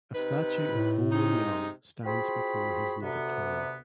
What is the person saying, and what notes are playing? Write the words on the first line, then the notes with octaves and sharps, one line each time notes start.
A statue of Bo Min Yaung stands before his native town.
C3 D#4 B4
A2
C3 G#3 D#4
C4 F4 F#4 G#4 B5
D2 C3 B3